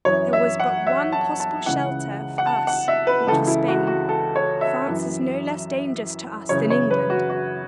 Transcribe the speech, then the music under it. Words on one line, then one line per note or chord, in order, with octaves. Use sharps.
There was but one possible shelter for us, which was Spain. France is no less dangerous to us than England.
F#2 E3 C#5
E5
F#5
E5
A5
A5
C#2 C#3 E3 F#5
F#5
A5
F#5
E5
B4
C#2 C#3 E3 A4
E4
F#4
F#4
A4
C#5
E5
F#2 E3
F#2 C#3 E3 C#5
C#5
B4
F#4
F#4